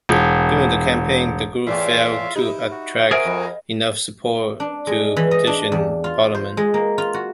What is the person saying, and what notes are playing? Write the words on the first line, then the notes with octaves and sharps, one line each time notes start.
During the campaign, the group failed to attract enough support to petition parliament.
E1
E2 A2 F4 D5 E5 F5
D#4 E4 G4
F#4
G#4 A#4 C5 E5 F#5
F2
D4
G#3
E3
D#5
D4
E2
F4
C5
G#3
A#3
F4
F#4